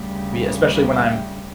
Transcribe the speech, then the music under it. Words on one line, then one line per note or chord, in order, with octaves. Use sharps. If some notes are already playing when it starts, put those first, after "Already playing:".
be, especially when I'm
Already playing: D2 C#3 G3
E5 G5